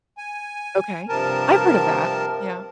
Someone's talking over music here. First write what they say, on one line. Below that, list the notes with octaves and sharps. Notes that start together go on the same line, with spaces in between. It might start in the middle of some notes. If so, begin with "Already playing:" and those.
Okay. I've heard of that. Yeah.
G#5
G2 C3 F3 A#4 A5